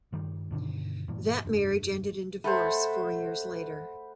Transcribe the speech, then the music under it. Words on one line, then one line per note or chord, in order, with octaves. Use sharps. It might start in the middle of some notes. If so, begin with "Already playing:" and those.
That marriage ended in divorce four years later.
G2 D#3 G3
G2 B2 D3 D#3
G2 A#2 E3
F1 G2
A3 C5 F#5 B5